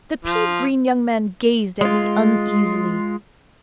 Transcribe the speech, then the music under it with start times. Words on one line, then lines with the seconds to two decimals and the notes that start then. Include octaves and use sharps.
The pea-green young man gazed at me uneasily.
0.25 F3
1.81 G#3 F4